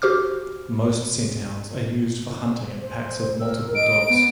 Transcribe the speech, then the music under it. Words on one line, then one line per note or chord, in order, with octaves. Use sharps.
Most scent hounds are used for hunting in packs of multiple dogs.
F#4 G4 C5 D6 F6
C5
A#4 E6
D#5 D7
B3